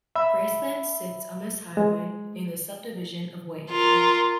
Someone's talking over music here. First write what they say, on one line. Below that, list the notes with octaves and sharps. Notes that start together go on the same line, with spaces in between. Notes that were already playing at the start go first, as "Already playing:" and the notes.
Graceland sits on this highway, in the subdivision of Whitehaven.
E5 B5 E6
G#3
F4 A#4